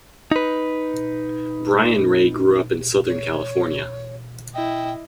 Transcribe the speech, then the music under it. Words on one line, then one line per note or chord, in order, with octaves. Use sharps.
Brian Ray grew up in Southern California.
D#4 B4
C#5
E4 D#5 G5